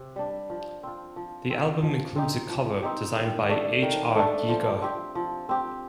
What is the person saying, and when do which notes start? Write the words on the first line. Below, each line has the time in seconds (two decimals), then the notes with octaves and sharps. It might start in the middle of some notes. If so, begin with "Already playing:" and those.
The album includes a cover designed by H. R. Giger.
Already playing: C3
0.16 G3 D4
0.50 F3
0.83 C4 F4
1.16 F3
1.50 C4 F4
1.82 F3
2.16 C4 D#4 G4
2.49 F3
2.83 C4 D#4 G4
3.16 D#3
3.49 A3 D4
3.82 D#3
4.15 A3 D4
4.49 F3
4.82 C4 G4
5.15 F3
5.49 C4 G4